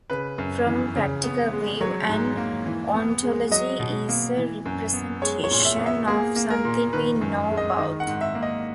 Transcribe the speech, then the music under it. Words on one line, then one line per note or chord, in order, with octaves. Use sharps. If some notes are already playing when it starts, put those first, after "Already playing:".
From a practical view, an ontology is a representation of something we know about.
C#3 B4
F#2
E3
C#3
B3
G#3
F#3 C#5
G#2
A#3
E3
B3
G#3
F#3 D#5
B2
A#3
E3
F#2
B3
G#3 C#5
C#5
A#2
E5
B3
E5
A#3 G#4
A#3
A#4
A#2
D#3 B4
F#2
G#3
D#5
D#3 D#5
F#5
G#2
E5
A#3
D#5